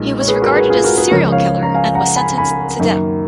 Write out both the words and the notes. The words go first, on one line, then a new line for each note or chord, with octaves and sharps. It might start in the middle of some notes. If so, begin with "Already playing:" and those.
He was regarded as a serial killer and was sentenced to death.
Already playing: B1 A#2 G#3
C#5
G#4 B4
F#4 A#4
G#4 B4
F4 G#4
F#4 A#4
G#4 B4
C#2 C#3 F3 A#4 C#5
C#5 F5
A#5
F5 G#5
F#5 A#5
G#5 B5
G#5 B5
F#2 D#3 A#3